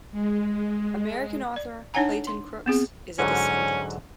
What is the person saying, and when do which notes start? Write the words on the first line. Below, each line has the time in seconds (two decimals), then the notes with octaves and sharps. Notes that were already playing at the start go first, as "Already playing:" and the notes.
American author, Clayton Crooks, is a descendant.
0.12 G#3
1.56 D5
1.94 D4 D#4 C#5 F#5 G#5 A#5
2.27 C6
2.66 B3 C4 G#4
3.19 G#2 D3 F#3 C#4